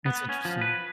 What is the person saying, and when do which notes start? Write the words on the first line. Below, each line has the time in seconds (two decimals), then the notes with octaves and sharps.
That's interesting.
0.06 B3
0.29 C#4
0.45 F3
0.61 B4